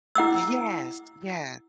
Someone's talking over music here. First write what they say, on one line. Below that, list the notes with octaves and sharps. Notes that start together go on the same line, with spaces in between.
Yes. Yeah.
E4 F#5 D6 E6